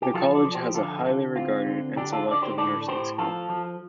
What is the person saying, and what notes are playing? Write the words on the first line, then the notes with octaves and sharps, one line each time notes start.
The college has a highly regarded and selective nursing school.
G4
F3 F4 A4
A4 D5
F3
G4 C5
D3 F4 A4
D3
C4 F4
D3
D3 D4 G4
F4 A4
D3 D5
G4 C5
A2 A4 D5
A2 G4 C5
F3 F4 A4
F3